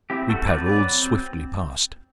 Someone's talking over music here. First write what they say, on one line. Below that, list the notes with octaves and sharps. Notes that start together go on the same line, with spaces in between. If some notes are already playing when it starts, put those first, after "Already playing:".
We paddled swiftly past.
C4 E4 G4
F#4 A4
C4
B4 D5
F#3 B4 D5
C4